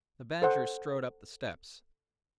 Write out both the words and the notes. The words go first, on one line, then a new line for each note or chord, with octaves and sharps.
The Badger strode up the steps.
A4 C5 F#5